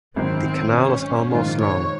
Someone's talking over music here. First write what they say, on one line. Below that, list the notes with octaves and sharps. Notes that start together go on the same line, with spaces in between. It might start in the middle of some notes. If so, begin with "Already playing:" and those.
The canal is almost long.
G#1 F#2 D#3 C4
C4
C#4
A#1 G#2 D#3 F4
C#5